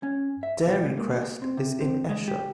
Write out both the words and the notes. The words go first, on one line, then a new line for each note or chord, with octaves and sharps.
Dairy Crest is in Esher.
C#4
E5
B2
G#3
A#3
C4
C3
C4
G#3
G4